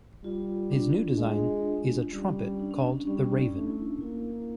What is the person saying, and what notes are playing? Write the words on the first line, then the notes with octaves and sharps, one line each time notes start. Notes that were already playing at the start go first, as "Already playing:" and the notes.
His new design is a trumpet called "The Raven".
G3 F4
D4
G#3
G3 C#4
D4
C#4
D4
G3 C#4
D#4
A3
E4
A#3 E4